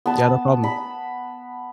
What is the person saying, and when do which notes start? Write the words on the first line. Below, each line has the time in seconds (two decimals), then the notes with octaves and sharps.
Yeah, no problem.
0.06 B3 A5
0.64 B5